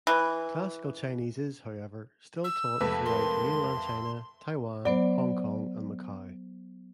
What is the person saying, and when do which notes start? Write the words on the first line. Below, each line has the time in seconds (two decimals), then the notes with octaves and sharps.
Classical Chinese is, however, still taught throughout mainland China, Taiwan, Hong Kong and Macau.
0.07 E3
2.44 E6
2.81 F2 C3 G#3 A3 B4 B6
3.05 A#4 C6
3.77 E5
4.85 F#3 B3 C5 D5